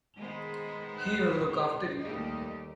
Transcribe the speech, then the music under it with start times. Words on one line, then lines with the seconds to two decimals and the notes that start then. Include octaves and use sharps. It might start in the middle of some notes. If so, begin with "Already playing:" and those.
He will look after you.
0.18 D#3 G#3 B3 C5
1.99 D#2 D#3 G3 A3 G4 D#5